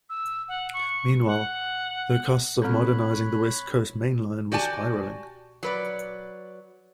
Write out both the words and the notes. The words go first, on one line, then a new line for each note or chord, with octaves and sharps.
Meanwhile, the costs of modernising the West Coast Main Line were spiralling.
E6
F#5
C#6
F#5
G#3 C4 A4 C#5 B5 F#6
F#4 G4 D5 G#5 A5
F#3 B4 D5